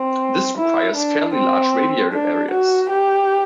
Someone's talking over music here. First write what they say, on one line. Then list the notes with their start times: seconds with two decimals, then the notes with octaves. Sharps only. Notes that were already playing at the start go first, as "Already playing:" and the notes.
This requires fairly large radiator areas.
Already playing: C4
0.58 E4
0.96 D4
1.35 C4
2.12 D4
2.51 F#4
2.90 G4